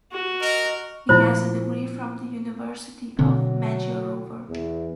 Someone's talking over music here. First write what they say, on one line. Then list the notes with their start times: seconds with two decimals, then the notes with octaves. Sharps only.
He has a degree from the University of Magyarovar.
0.11 F#4
0.41 A#4 D#5
1.09 A#2 F3 A3 E4 F4 C5
3.19 B2 D3 F#3 C4
4.49 E2